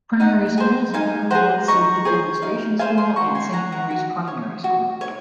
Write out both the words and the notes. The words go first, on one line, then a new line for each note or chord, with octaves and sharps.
Primary schools include North Sydney Demonstration School and Saint Marys Primary School.
D#4 D#5 F#5
G#4 C5
D#4 F5 G#5
G#4 C5 F#5 A#5
D#4 A#5 C#6
G#4 C5
D#4 F5
G#4 C5 F5 G#5
C6 D#6
F#4 A#5 C#6
G#5 C6
C#5 F#5 A#5
F#5 A#5
F#4
C#5
F#4
C#5